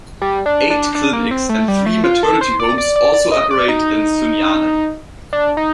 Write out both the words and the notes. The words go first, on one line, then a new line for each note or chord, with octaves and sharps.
Eight clinics and three maternity homes also operate in Sunyani.
G3
D4
D4
D4
A#3
C4
A3
G3
A3
F4
A4
C5
D5
D5
D5
D5
D#5
D5
D#4
D4
D#4